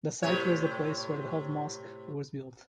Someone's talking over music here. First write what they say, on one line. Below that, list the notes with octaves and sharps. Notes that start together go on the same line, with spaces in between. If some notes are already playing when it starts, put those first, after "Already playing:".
The site was the place were the old mosque was built.
A2 C3 C#5